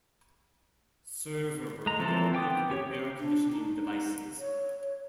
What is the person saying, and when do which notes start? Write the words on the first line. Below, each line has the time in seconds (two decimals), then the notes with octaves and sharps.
Server rooms are equipped with air conditioning devices.
1.86 G#3 A#5
1.99 E3 F3 C4 A4
2.33 B3 G5 D6 D#6
2.70 C#4 G4 C#5
3.20 D4
3.52 D#4
4.39 C#5